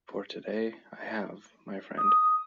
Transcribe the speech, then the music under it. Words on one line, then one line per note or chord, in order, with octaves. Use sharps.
For today, I have, my friend.
D#6